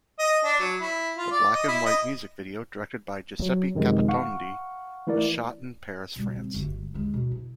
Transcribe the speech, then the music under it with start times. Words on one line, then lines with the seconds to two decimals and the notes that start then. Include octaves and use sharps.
The black-and-white music video, directed by Giuseppe Capotondi, was shot in Paris, France.
0.19 D#5
0.44 D4
0.60 F#3
0.81 E4
1.17 F4
1.31 D5
1.54 D#5
1.68 E4
1.86 D#5
3.42 F#3
3.75 F#2 C3 D#3 F3 G#3
4.08 F5 F#5 C#6
5.07 E3 A3 E4 A#4 D5
6.16 B2 G3
6.36 C4
6.54 G1 D2
6.94 D#2 G#3
7.14 B2
7.31 E4